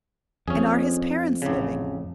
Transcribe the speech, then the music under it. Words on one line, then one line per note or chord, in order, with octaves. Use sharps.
"And are his parents living?"
F2 C#4 G#4
A1 C#3